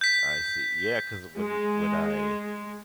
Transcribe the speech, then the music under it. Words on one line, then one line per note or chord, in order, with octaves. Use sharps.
I see. Yeah, 'cause when you when I
G6 B6
G#3